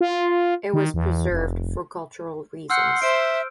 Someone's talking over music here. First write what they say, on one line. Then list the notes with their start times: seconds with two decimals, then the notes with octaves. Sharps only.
It was preserved for cultural reasons.
0.01 F4
0.74 D#3
0.94 E2
1.30 F1
2.70 F#5 C6 E6 F6 G6
3.02 C5 E5 D7